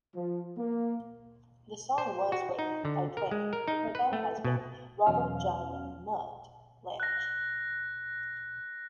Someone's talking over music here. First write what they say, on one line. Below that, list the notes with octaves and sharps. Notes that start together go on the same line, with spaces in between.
The song was written by Twain and her then-husband, Robert John "Mutt" Lange.
F3
A#3
C5
F#4
D#4
D3
A#4
G#3
A#4
D#4
B4
A3
B2
E2 B2 F#3 C#4 F5 F6
F#6 A#6